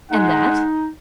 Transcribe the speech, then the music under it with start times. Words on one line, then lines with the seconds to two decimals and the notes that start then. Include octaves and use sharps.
"And that?"
0.11 G#3 D#4 F#5